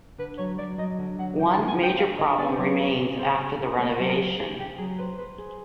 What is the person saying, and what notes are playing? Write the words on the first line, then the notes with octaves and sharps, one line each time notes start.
One major problem remains after the renovation.
D3 B4
F#3 C#5
F#3 D5
F#3 D#5
D3
F#3 F#5
D3 G5
A5
D3
G#5
D3
G5
D3 F5
D3 D#5
B3 D5
C5
F#3 C#5
C#3
C#3
C#3 C5
C#3
C#3
A#3 C#5
C5
F#3
A#4
C#3
C#3 G#4
C#3 G4
F#3 G#4
B4 C5
B4 C5
G#4